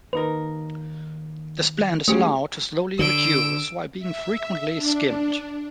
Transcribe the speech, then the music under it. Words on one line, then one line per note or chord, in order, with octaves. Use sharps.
This blend is allowed to slowly reduce while being frequently skimmed.
D#2 D#4 A#4 B4
F3 G#3 A3 C#4 G4 G#4
D3 E6 D7
E5
D4